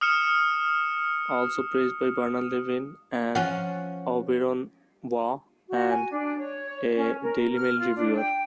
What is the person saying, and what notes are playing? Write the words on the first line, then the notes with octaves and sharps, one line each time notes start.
Also praised by Bernard Levin, and Auberon Waugh and a Daily Mail reviewer.
D#6 F6 C#7 E7
F3 C#4 F#5
F#4
G#5
D4
C#5
C#4
A#4
F6
F4
D4
G5